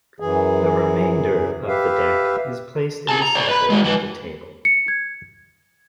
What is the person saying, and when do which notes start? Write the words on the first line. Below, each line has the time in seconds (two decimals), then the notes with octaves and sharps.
The remainder of the deck is placed in the centre of the table.
0.20 F#2 E3 G#4
1.67 G4 B4 E5 F5
3.09 G#4 A5
3.22 A#5
3.35 C5 D5
3.49 B4 B5
3.70 G#3 F#4
3.84 F3 B4
4.65 C#7
4.88 G#6